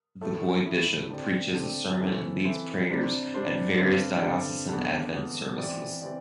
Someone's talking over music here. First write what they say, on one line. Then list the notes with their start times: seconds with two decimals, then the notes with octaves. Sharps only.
The Boy Bishop preaches a sermon and leads prayers at various Diocesan Advent services.
0.21 A2 A3 E4
0.65 A2 A3 E4
1.10 D3 C4 G4 D5
1.55 D3 C4 G4 D5
1.99 E3 C4 E4 A4 C5
2.44 E3 C4 E4 A4 C5
2.89 C3 G3 D4 C5
3.34 C3 G3 D4 C5
3.78 G2 D3 C4
4.22 G2 D3 C4
4.68 E2 D3 G3
5.12 E2 D3 G3
5.57 E3 C4 G4 D5
6.02 E3 C4 G4 D5